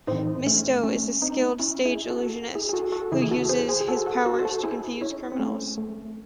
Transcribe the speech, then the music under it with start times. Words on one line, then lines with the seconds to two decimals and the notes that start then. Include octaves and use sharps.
Mysto is a skilled stage illusionist, who uses his powers to confuse criminals.
0.07 A2 E3 C4 D#4
0.47 A3 C#4
0.83 A3 C#4
1.22 C4 D#4
1.59 C#4 E4
1.85 E4 G#4
2.10 F#4 A4
2.55 E4 G#4
2.69 G#4
2.73 F#4 A4
2.92 F#4 A4
3.12 E2 C#3 E3 E4 G#4
3.22 G#4
3.31 F#4 A4
3.49 G#4 C5
3.69 G#4 C5
3.81 G#4
3.88 F#4 A4
4.06 F#4 A4
4.25 F#4 A4
4.39 C5
4.45 F#4 A4
4.63 E4 G#4
5.01 C#4 E4
5.32 C4
5.39 A3 C#4
5.78 A3